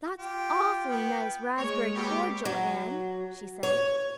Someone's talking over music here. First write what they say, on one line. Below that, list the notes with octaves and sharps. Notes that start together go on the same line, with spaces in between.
"That's awfully nice raspberry cordial, Anne," she said.
F4 G4
B3 G5
G#3 A#3 C#5
B2 G4
F#3
C#5